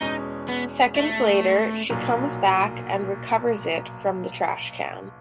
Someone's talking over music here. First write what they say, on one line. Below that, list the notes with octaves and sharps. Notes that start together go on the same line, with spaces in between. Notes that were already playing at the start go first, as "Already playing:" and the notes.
Seconds later she comes back and recovers it from the trash can.
E2 B2 G#3 C#4 D#4
B3
A3
B1 A#2 F#3